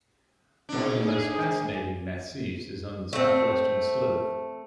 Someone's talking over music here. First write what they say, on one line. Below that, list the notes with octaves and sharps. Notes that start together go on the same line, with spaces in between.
One of the most fascinating massifs is on the southwestern slope.
G#2 D4
G#4
A3 C4